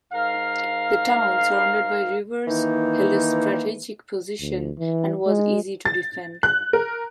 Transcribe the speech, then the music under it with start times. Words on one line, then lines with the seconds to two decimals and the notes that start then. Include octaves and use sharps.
The town, surrounded by rivers, held a strategic position and was easy to defend.
0.13 G#2 A#4 F5
2.47 D#3 E3 A#3 D#4
4.41 D2
4.78 E3
5.26 G#3
5.85 A6
6.43 F#6
6.73 A#4